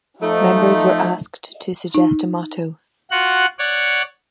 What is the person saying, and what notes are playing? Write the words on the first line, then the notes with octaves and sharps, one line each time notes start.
Members were asked to suggest a motto.
F3 A3 D#4
D#4
F4 F#4 F#5 F#6
C#5 D5 F#5